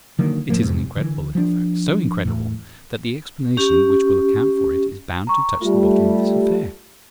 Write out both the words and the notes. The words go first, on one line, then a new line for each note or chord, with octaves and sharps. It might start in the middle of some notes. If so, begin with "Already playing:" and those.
It is an incredible little fact, so incredible that the explanation which will account for it is bound to touch the bottom of this affair.
D3 D#3 F#3 A#3
A2 F3 A#3
F2 G#2 C3
D3 E3
F3 D4
E2 A2
C#4 G4
A#5 C#6
G3 A3 F4